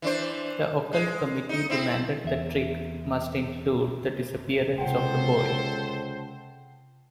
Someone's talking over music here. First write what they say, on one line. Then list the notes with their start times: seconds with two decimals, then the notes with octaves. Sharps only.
The Occult Committee demanded the trick must include the disappearance of the boy.
0.02 E3 D4 C5
0.93 G#3
1.49 D#4 D#5
1.70 C4 E4
2.24 E2 E5
4.78 C#2 C3 C4 A4 C5 F#5 G5